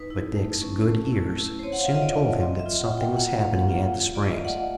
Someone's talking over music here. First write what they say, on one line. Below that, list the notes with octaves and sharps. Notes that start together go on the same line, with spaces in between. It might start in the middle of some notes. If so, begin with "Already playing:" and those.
But Dick's good ears soon told him that something was happening at the springs.
Already playing: D#4 B4
E4
A3
C#4
A3
E4
E4
C5
C4 C#5
F#5
F5
F4 E5
D#5
D5
F4
C4 D#5
E5
F4
F#5
F4
G5
A#3 F#5
F#5
F5
A#3
F#5
F4
F#5
F4
D5
F4 D#5
E5
F5
A3 F#5